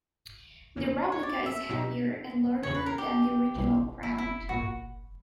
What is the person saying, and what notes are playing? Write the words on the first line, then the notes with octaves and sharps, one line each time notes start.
The replica is heavier and larger than the original Crown.
E2 C#3 E3 A#3 C#4
C#5
D5
E5
B2 F#3 B3 E4 G4
E2 C#3 E3 C#5
B4
A#4
G4
B1 B2 G3 C#4 E4
E4
E4
B1 A#2 A#3 F#4